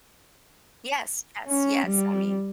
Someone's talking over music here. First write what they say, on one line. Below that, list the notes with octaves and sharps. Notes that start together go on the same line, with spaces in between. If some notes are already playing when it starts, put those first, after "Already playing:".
Yes, yes, yes, I mean
C#4
G3